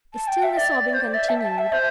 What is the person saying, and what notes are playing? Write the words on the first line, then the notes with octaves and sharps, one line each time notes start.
Still the sobbing continued.
A5
G5
E5
D5
D5
D5
C5
D5
E5
A5
A5
E5
C5